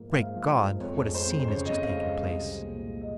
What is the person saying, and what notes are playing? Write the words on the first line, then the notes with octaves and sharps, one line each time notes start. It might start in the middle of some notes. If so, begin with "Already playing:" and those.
Great God! what a scene has just taken place!
Already playing: G#2 F3 A#3
G#2 F5
F3
G#2
F2 C#5
G#3
C5
F2
C5
C#3 C#5
D#5
F2
F5
G#3
D#5
C2
C2
A#2
G#3
D#5